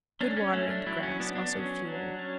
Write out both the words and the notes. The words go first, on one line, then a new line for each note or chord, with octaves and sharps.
Good water and grass, also fuel.
C#4 D4
C#4
A3 C#4
D4
F#3 E4
C#4
B3 D4
D4
F#3 C#4
F#3 D4
F#3 C#4